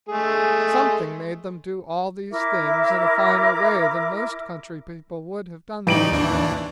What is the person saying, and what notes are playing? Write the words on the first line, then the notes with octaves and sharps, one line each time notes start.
Something made them do all these things in a finer way than most country people would have done them.
G#3 A3 G#4
E4 A#4 E5 D6
A1 G3 D#4 D7 F#7
D#2 E3 D4